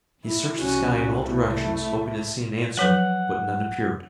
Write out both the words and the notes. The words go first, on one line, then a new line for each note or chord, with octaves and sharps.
He searched the sky in all directions, hoping to see an answer but none appeared.
E4
C2 C#4 F#4
A3 E4
F3 F#3 B4 F#5